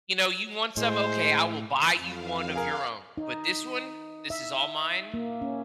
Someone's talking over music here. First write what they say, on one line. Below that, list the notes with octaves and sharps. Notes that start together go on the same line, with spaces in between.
You know, "You want some? Okay, I will buy you one of your own, but this one, this is all mine,
A2 G#3 C5
F2 F5
G#4 A#4
D#4
E5
A#3
C#4